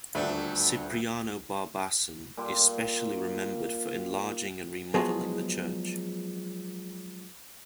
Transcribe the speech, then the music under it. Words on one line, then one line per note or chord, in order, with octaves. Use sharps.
Cipriano Barbasan is specially remembered for enlarging and remodeling the church.
D#1 D2 A3 D4
A#2 G3 C6
F3 F#3 G#3 B3 G#4